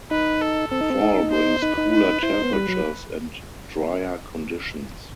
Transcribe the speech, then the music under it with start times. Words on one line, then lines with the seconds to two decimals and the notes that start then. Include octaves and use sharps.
Fall brings cooler temperatures and dryer conditions.
0.11 D#4 B4
0.41 A4
0.71 C4 A4
0.81 D#4
0.90 C4
1.02 D#4
1.32 C5
1.62 D#4 B4
1.77 D#4
1.93 B4
2.23 E4 C5
2.33 D#4
2.43 B3
2.53 G3 B4
2.68 F#3